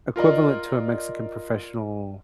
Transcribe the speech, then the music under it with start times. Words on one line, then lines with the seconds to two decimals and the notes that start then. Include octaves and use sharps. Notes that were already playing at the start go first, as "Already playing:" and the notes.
equivalent to a Mexican professional
0.16 F4 A#4 D5 D#5